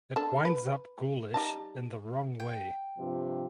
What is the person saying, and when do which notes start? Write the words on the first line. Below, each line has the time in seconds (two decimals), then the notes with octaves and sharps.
It winds up ghoulish in the wrong way.
0.16 D4 A4
0.45 B4
1.34 G3 D#4 A5
2.40 G5
2.98 G2 C3 F3